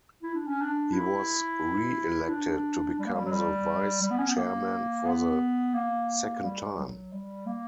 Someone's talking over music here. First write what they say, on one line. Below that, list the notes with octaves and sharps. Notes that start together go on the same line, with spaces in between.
He was re-elected to become the vice-chairman for the second time.
E4
D4
C#4
D4
E4
D4
G3
A#3
G3
F#3
G3
G3
B3
C#4
B3
A#3
B3
A#3
G3
F#3
G3
A#3